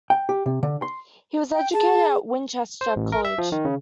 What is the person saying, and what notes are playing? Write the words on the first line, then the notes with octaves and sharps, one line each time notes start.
He was educated at Winchester College.
G5
G4
C3
D3
C6
G5
G#4 A5
C5
A1
A#4
E5
F3
D#3
C#3